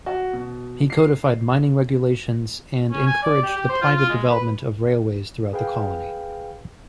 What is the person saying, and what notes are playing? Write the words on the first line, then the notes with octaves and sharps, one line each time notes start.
He codified mining regulations and encouraged the private development of railways throughout the colony.
F#4
B2
C7
C#4
G#5
D5
G4
G4
C5
F4
F4
G#3
B4
G#4 B4 F5 G5